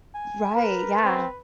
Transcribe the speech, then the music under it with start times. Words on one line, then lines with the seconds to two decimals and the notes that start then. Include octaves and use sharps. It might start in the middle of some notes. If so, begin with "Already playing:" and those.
Right, yeah.
0.15 G#5
0.55 A#4 B4
1.04 C4